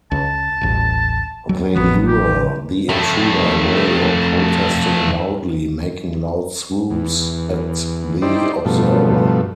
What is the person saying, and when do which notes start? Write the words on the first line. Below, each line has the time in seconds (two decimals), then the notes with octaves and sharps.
They lure the intruder away or protesting loudly, making loud swoops at the observer.
0.12 C#2 A5
0.61 D#1 A1
1.49 F#3
1.75 A1 F3 F#3 B3
2.07 G4
2.89 F2 A3
6.90 E2
8.22 D#4 E4 G4 C5 D5
8.65 G2 B2 F3 A3